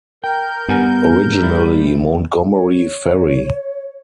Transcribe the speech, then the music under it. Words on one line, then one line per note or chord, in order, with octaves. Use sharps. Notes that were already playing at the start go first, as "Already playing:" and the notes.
Originally Montgomery Ferry.
A#4 G5 G6
G2 B3 F#5 G#5
G3 E4
C#5